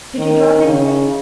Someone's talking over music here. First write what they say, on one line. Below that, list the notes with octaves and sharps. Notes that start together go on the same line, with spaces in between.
Did you drop anything?
D#3
C#3